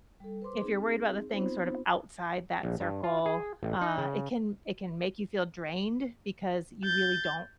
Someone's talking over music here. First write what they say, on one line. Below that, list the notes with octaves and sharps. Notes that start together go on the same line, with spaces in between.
if you're worried about the things sort of outside that circle, uh, it can it can make you feel drained because you really don't
G3 A4
B4 C5 C6 D6
C4 D#4 G#4
B3 C4 D#4 F4 C5
A#1
G2
F4
G#4
A1
D#4
C#3
G6 A6